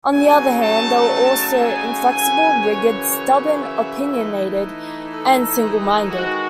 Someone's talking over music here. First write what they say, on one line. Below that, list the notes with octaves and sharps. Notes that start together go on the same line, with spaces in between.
On the other hand, they are also inflexible, rigid, stubborn, opinionated and single-minded.
C#3 F#3 A3 D#4 G#5
A5
G#5
F#2 C#3 E3 G#5
C#5
C#5
E5
E3 A3 D#4
A4
G#4
D#3 G#3 D#4 F#4